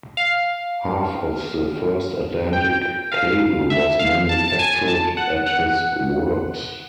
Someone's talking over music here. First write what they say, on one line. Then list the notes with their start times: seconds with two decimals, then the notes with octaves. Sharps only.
Half of the first Atlantic cable was manufactured at his works.
0.17 F5
2.53 G5
3.12 F5
3.70 E5
3.99 F5
4.29 A5
4.48 A5
4.59 G#5
4.88 A5
5.17 F#5
5.46 F#5